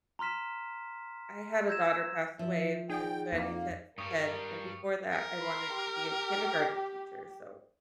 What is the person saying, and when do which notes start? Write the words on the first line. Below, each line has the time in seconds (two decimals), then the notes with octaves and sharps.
I had a daughter pass away in in twenty t ten and before that, I wanted to be a kindergarten teacher, so
0.19 A#5 C6 F6 B6 E7
1.68 E6 G6 G#6 A#6 E7
2.39 F3 E5
2.90 D#4 G#4 D5 F#5 G5
3.33 F2 A#3
3.98 G2 G3 A#4 C#6 D#6 C#7
5.12 A#4
5.41 B5 C6
5.74 G4